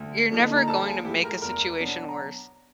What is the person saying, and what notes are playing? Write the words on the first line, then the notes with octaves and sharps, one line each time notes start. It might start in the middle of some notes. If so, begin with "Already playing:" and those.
you're never going to make a situation worse
Already playing: D2
D3 F3 A#3 D#4
A#5
A#1 A4 A5
G#4 G#5
A2 F3 G#3 G4 G5
A#4 A#5
E2 A#4 A#5
B2 F#3 B3 D4
A#5